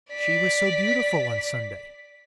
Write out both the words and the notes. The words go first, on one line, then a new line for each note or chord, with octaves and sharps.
She was so beautiful on Sunday.
D5 B6